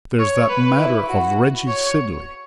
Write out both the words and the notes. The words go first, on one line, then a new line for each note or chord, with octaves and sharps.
There's that matter of Reggie Sidley.
C#5
B4
E4
F#4
C#5